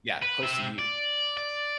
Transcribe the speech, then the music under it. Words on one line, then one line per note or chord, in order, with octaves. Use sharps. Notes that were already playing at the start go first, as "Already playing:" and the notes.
Yeah, close to you.
B4
C4 E5
D5
D5